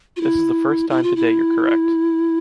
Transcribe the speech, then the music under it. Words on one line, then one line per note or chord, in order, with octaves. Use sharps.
This is the first time today you’re correct.
F4
E4
E4
F4
E4